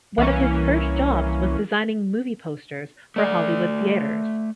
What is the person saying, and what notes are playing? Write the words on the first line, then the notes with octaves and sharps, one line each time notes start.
One of his first jobs was designing movie posters for Hollywood theaters.
C2 E3 A#3 C#4
A3 D5